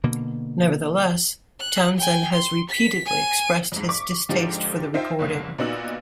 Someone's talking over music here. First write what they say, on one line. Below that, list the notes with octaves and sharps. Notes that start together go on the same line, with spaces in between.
Nevertheless, Townsend has repeatedly expressed his distaste for the recording.
B2 D3 A#3
F#6
G5 G#5
C6
B6
G#5 D#7
F2 G#2
C#6 D6 B6
G#2 D3 F3 D#4 G4
D#4 F4 C5 E5 G5
F#1 C2 A#3
A#2 B3 D#4 F#4 E6 F#7